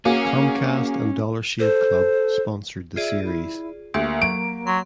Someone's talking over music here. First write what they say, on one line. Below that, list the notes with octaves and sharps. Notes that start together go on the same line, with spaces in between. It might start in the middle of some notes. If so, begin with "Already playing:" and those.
Comcast and Dollar Shave Club sponsored the series.
A#3 C#4 F#4 G#4
A4 C5
F4 G#4 D5 E5
E4
D2 A#3 G4
F#3 D7
F#3 C6